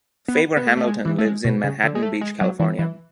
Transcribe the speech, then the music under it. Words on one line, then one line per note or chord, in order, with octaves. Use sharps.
Favor Hamilton lives in Manhattan Beach, California.
B3
B3
A3
A3
G#3
E3
A3
G#3
B2
C#3
D3
G#3
A3
G#3
F#3
E3
E3